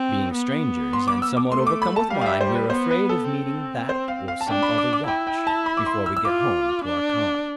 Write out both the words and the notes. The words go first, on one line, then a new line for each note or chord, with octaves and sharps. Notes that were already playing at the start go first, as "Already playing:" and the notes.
Being strangers, and somewhat overcome with wine, we are afraid of meeting that or some other watch, before we get home to our khan.
Already playing: C4
B3
C6
D6
E6
D6
A3 C6
D6
B5
A5
G3 F5
F5
E5
C5
B4
B3 C5
B4
A4
C4
C5
F5
F5
A5
D4 G5
B5
D6
D6
E4 G5
G5
A5
B5
D6
C6
E6
E6
F4 D6
D4